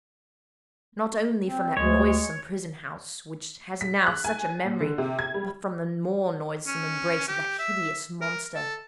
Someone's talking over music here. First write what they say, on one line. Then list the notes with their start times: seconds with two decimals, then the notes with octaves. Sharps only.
Not only from that noisome prison-house, which has now such a memory, but from the more noisome embrace of that hideous monster.
1.44 C4
1.77 D2 G#3 C#5
3.81 B6
4.07 F#6
4.24 G#5
4.64 A#2
4.80 D3
4.98 C3
5.19 G#6
5.34 G3
6.67 C#4
7.28 G4
7.59 E5
8.21 A#4
8.55 A4